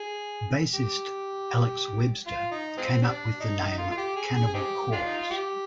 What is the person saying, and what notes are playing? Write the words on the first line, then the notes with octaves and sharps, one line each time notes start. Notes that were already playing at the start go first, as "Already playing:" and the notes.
Bassist Alex Webster came up with the name Cannibal Corpse.
Already playing: G#4
G4
F4
D#4
F3 G#3 C4
G3 D4
D#4
D#4
F4
F4
G4
G#4
G#4
G#4
C4 D#4 G4
G#3 D4 F4
D#4
F4
G4